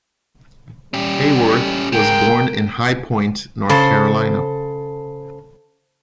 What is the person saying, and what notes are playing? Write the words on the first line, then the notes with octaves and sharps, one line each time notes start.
Hayworth was born in High Point, North Carolina.
G3 C#4 G4
C#2 G#3 A#4 G5
C#3 A4 C5